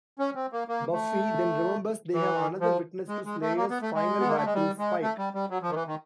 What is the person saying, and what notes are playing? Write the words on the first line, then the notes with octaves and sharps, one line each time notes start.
Buffy then remembers they have another witness to Slayers' final battles: Spike.
C#4
C4
A#3
A#3
A3
E3
F3
G#3
G#3
A3
A#3
B3
A3
G#3
B3
A#3
A3
G#3
G3
G#3
A3
G3
G3
F#3
F3
D#3
E3
D#3